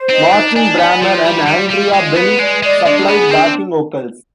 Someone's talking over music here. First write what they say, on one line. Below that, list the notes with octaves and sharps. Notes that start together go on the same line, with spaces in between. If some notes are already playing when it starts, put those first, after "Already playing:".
Martin Brammer and Andrea Bell supplied backing vocals.
Already playing: C5
C4 D#4
D4 D#4
D4 G#5
B3 D5
F3 F4
G3 F4
G3 F4
G3 F4
G#3 F4
B3 B4
G#3 D5
G#3 D5
G#3 D4
B3 G#4
C4 D4